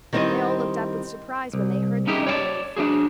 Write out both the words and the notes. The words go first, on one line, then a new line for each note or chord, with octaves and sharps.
They all looked up with surprise when they heard the well-known foot.
D#3 G3 C4 E4 C5 D#5
C2
C#4 D#4 E4 G4 G#4
C#5 D5 F#5 A5
D4 D#4 F#4 G#4